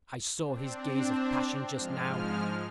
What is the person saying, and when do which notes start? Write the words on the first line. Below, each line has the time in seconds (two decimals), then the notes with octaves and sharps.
I saw his gaze of passion just now.
0.44 C4 D4
1.72 G#2 F3 G#3 F6